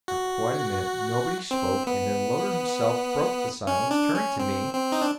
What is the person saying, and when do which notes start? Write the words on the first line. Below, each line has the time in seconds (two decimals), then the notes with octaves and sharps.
For quite a minute nobody spoke, and then Loder himself broke the silence, turning to me.
0.08 F#4
1.51 C4
1.87 B3
3.67 C#4
3.91 D4
4.15 C#4
4.39 C4
4.74 C4
4.92 D#4
5.02 D4